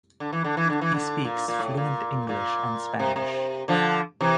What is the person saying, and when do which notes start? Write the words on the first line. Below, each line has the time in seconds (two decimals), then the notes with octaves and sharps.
He speaks fluent English and Spanish.
0.20 D3
0.33 E3
0.44 D3
0.57 E3
0.70 D3
0.81 E3
0.95 D3
1.24 A#2
1.48 A#2
1.59 A2
1.77 A#2
2.29 A#2
2.99 C3
3.16 C3
3.68 D3 F3
4.21 C3 E3